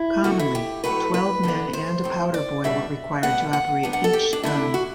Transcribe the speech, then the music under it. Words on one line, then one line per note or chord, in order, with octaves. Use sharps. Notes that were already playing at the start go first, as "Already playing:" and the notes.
Commonly, twelve men and a powder-boy were required to operate each gun.
Already playing: E4
D3 A3 C4 F#4
E4
G4
A2 F#3 A3 C4 B4
B4
D3 G3 B3 D4
C5
A2 G3 C4
D5
B2 G3 D4 E5
B2 G3 B3 F#5
F#5
C3 G3 B3 D4
F#5
A4
G4
D4
D3 A3 D4 E4
F#4